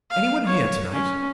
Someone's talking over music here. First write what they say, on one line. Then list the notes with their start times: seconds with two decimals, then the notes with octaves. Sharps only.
"Any one here to-night?"
0.10 F5
0.46 C#5
0.92 C#4